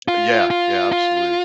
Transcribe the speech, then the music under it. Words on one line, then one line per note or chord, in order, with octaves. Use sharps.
Yeah. Yeah, absolutely.
F4
F4
F4